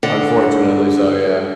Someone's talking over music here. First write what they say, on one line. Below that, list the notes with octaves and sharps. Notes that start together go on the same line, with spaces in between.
Unfortunately, so, yeah.
D3